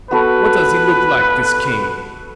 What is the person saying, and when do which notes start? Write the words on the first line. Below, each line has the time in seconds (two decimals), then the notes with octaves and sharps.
"What does he look like, this Kane?"
0.11 B3 F#4 A4 B4